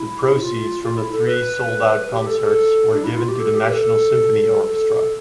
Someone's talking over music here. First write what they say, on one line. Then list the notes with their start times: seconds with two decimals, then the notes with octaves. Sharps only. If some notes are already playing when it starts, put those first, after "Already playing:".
The proceeds from the three sold-out concerts were given to the National Symphony Orchestra.
Already playing: E4
0.41 F4
0.84 F4
0.97 E4
1.12 A4
1.26 B4
2.12 G4
2.26 A4
2.41 A4
2.93 D4
3.04 E4
3.16 F4
3.28 G4
3.40 A4
3.54 G4
3.69 B4
3.72 A4
4.68 A4